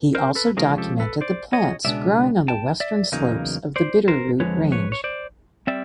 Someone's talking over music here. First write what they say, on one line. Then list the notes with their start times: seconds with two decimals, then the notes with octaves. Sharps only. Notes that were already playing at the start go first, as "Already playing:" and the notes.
He also documented the plants growing on the western slopes of the Bitterroot Range.
0.15 A#4 C5
0.35 A4 B4
0.57 C3 F3 G#3 C#4 G#4 A#4
0.78 G4 A4
1.00 A4 B4
1.21 C5 D5
1.53 C#5 D#5
1.85 C#2 B2 G#3 B3 D4 D5 E5
2.48 G5 A5
2.80 D5 E5
3.12 E2 C#3 F#3 A#3 D#4
3.76 C5 D5
4.08 A#4 C5
4.40 F2 D3 F3 G#3 B4 C#5
4.72 B4 C#5
4.92 C#5
5.04 C5 D5
5.67 G3 C4 D5 E5